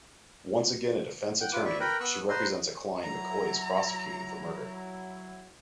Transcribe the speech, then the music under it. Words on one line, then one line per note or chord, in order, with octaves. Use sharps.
Once again a defense attorney, she represents a client McCoy is prosecuting for murder.
F#5 G5
F4 B4 D6
E4 D5 E5 C#6
A#4 B4 G5 A#5 B5
B3 C#6 E6 F#6
B4 C5 A#5 C6
F#3 E4 A#5